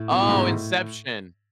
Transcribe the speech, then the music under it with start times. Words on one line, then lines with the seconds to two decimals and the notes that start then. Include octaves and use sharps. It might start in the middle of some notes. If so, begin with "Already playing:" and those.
Oh, Inception.
Already playing: A2
0.11 B2
0.20 A2
0.29 G#2
0.37 A2